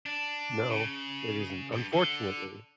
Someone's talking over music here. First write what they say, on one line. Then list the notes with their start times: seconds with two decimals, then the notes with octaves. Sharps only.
No, it isn't. Unfortunately
0.06 D4
0.70 C#3
1.72 G2
1.93 D3